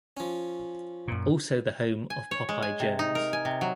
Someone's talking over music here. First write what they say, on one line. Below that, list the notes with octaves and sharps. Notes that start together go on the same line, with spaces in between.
Also the home of Popeye Jones.
F3 C#4
F#2 A#2
G#5
C#5
G#3
G#5
C3
D#4
A#4
G#5
C3
F#3